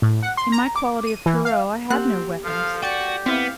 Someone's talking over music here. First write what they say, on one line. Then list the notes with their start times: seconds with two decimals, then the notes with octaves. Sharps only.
In my quality of Pierrot I had no weapons.
0.02 A2
0.23 F#5
0.37 C6
0.52 A#5
0.76 D6
1.07 D#7
1.26 E3
1.45 F5
1.90 A#3 C4 G4 F#5 F#6
2.44 F3 A4 F5
2.83 F#4 G4 D5 G5 A6 C#7
3.26 B3 C4 E4 F5